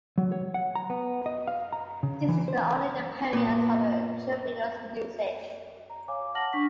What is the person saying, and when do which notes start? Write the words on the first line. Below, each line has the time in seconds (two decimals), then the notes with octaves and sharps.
This is the only appearance of Cherubino's music.
0.18 F#3
0.32 C#5
0.54 F#5
0.75 A#5
0.90 B3
1.26 D#5
1.47 F5
1.73 A#5
2.03 C#3
2.29 E3
2.48 C5
3.33 A#2 B3
5.90 A#5
6.08 C#5 F5 G#5 D6
6.35 F#5 A5 F6 A#6 F#7
6.53 D4 C#6 B6